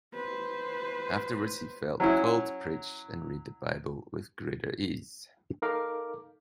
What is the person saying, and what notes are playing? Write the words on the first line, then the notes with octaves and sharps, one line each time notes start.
Afterwards he felt called to preach and read the Bible with greater ease.
B4 C5
F#3 C#4 E4
D#4 A4 A#4 F5 D6